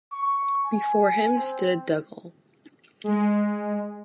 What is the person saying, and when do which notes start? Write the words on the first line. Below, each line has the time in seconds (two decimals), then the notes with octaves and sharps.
Before him stood Dougal.
0.12 C#6
0.65 G#5
1.36 C4
3.04 G#3